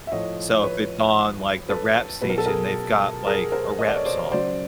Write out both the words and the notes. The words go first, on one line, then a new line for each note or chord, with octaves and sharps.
So, if it's on, like, the rap station, they've got, like, a rap song,
E5
A2 F3 C#5 D#5
B4 C#5
A4 B4
B2 F#3 B4
A#4
A4
G#4 A#4
G#4 A#4
A#4 C5
D#5
D5
C#5
C5 D5
C#3 F#3 C5 D5